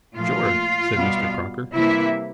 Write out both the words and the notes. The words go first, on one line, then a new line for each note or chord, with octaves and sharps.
"Sure," said Mr. Crocker.
A#2 F3 A3 F4 F5
B2 G3 B3
C3 E3 G3 A#3 E4 E5